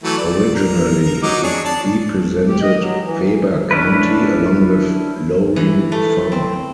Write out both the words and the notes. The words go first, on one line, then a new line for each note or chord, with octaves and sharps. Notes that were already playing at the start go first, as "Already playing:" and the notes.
Originally, he represented Weber County along with Lorin Farr.
E3 F#3 A3
D5
A#4
F#3 D#4 D6
D4 G#4 C#5
D5 A5
G4
D#5
F#3
E3
C#4 D4 E4 B4
E3
A3
C4